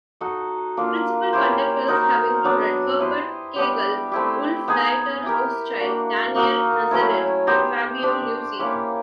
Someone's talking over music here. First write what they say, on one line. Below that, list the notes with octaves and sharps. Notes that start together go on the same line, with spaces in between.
Principal conductors have included Herbert Kegel, Wolf-Dieter Hauschild, Daniel Nazareth and Fabio Luisi.
D#4 F#4 A4
A#3 D4 F4 A#4
C#4 E4 G4 C5
D#4 F#4 A#4
F#3 B3 D4
E4 G4 C5 D#5
G3 B3 D4 G4
A3 C4 E4 G4
B3 D#4 G#4
E4 G4 A#4
A#3 D4 F#4
A#3 D#4 F#4 A#4
F#3 A3 C#4 E4
B3 D#4 G4 C5
D4 G4 C5
A#3 C#4 E4 G4